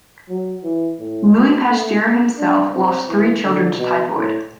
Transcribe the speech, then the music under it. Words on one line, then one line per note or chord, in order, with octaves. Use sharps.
Louis Pasteur himself lost three children to typhoid.
F#3
E3
A2
B2
A3
D4
C4
E3
D3
B2
A2